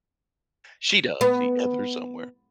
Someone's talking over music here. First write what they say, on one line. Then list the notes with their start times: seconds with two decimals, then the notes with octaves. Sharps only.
She does see out there somewhere.
1.21 B3